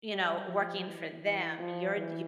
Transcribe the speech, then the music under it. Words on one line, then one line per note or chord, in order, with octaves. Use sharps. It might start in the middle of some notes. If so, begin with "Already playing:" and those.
you know, working for them. You're you're
G3
F3
E3
E3
F3
E3